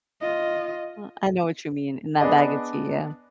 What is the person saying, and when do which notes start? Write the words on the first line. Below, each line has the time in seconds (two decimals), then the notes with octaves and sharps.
Well, I know what you mean, in that bag of tea, yeah.
0.21 F4 D#5
2.21 B3 D4 G#4 D5 D#5